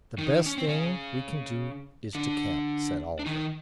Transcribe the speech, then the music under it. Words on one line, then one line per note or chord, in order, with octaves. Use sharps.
"The best thing we can do is to camp," said Oliver.
D#3 D#4
C#4
C4
C#3 C#4
D3 D4
D4
D#3 D#4